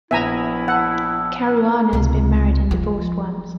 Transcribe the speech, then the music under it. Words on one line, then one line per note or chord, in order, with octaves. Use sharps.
Caruana has been married and divorced once.
A#1 B3 E4 E5 G#5 A#5
F#5 A5 E6
C#2 C3
F3